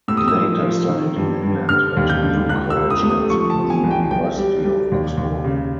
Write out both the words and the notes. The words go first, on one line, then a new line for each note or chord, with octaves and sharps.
He later studied in England at New College at the University of Oxford.
A2 E6
D#6
E6
F3
F3
D#3
G2
G2
D3 F6
D#2
G6
D3
C#2 F#6
E6
C#2
D#6
A3
D#6
F3 C#6
A5
F3
G#5
C2
G5
B1 G5
G3
G3
D#2
D#2
C#3